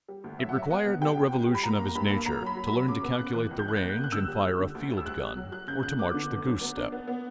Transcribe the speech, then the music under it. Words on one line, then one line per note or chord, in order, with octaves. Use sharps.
It required no revolution of his nature to learn to calculate the range and fire a field gun or to march the goose-step.
G3
D2
F#3 E5
F#5
F#3 E5
B3 F#5
B2
G3 G5
C#2
C#2
G3
B5
A#3 A#5
A#3
A#5
G2 B5
A#3
A#3 A#5
F#3
B5
F#3
B5
F#3
C#3 D6
B3
C#3 F#6
E3
C#2
G6
C#2 F#6
A#3 G6
A#3
F#6
D3 E6
G3
G3
D3
D2
G3
E6
G3 F#6
G3
F#3
F#3 F#6
C#3 G6
C#3 F#6
B3 D6
D3
D2
F#3
B3
D4
B3
B3